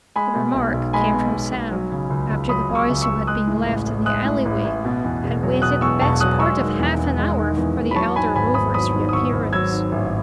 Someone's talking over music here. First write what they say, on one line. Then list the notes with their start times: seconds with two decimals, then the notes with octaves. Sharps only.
The remark came from Sam, after the boys who had been left in the alleyway had waited the best part of half an hour for the elder Rover's reappearance.
0.16 G#3 G#5 B5
0.35 B2
0.54 B1
0.73 B1
0.93 G#3 G#5 B5
1.13 B2
1.32 B1
1.52 B1
1.71 F#3
1.92 C#3
2.10 C#2
2.30 C#2
2.49 F#3 B5 D#6
2.69 C#3
2.75 C#6 E6
2.89 C#2
3.01 C#6 E6
3.08 C#2
3.27 G#3 D#6 F#6
3.47 A2
3.66 A1
3.86 A1
4.05 G#3 D#6 F#6
4.25 A2
4.45 A1
4.65 A1
4.85 B2
5.04 E2
5.24 E1
5.43 F#3
5.62 B2 D#6 F#6
5.81 E2 C#6 E6
6.01 E1 A5 C#6
6.20 F#3 D#6 F#6
6.40 G#3 C#6 E6
6.60 D#3
6.79 E2
6.99 E2
7.18 G#3
7.38 D#3
7.57 E2
7.77 E2
7.91 B5
7.96 F#3 A5 C#6
8.16 G#2 G#5 B5
8.36 G#1 G#5 B5
8.54 G#1 B5 D#6
8.74 F#3 B5 D#6
8.94 G#2
9.09 D#6
9.13 G#1 C#6 E6
9.33 G#1
9.53 F#3 E6 G#6
9.72 G#2
9.92 A1